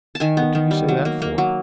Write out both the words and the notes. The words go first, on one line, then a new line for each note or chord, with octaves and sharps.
What did you say that for?
A5
D#3 G#5
B3
D#3
G3
F#3
A#3
A#3
F#3